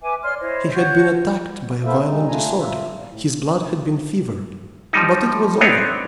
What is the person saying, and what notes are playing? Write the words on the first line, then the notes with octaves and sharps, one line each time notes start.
He had been attacked by a violent disorder, his blood had been fevered; but it was over.
B4 E5 G#5 D6
C#5 D5 C6 F6
E4 C5 C#5 D#5
F#4 C#5 G6
B3 E4 A4 C5 E5 F5
G3 G#3 D#4
A3 D4 F4 G#5 A#5
F4 E5
A#2
A2
F3 G3 D#4
B3 C4 D4 D#4 C#5